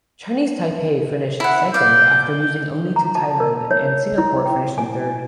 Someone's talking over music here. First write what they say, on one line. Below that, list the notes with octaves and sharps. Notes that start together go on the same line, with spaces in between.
Chinese Taipei finished second after losing only to Thailand and Singapore finished in third.
E4 F#5
D5 F5 G6
A#5
A5
A#4
C#5
E4
G5
G#5